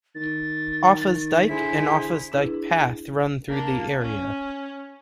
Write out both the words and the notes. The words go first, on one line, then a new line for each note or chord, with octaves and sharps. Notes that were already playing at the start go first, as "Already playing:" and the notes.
Offa's Dyke and Offa's Dyke Path run through the area.
D#3 A6
D3 E4 G#4 C5 B6
D4 E4 G#4 B4
A#3 D4
C#4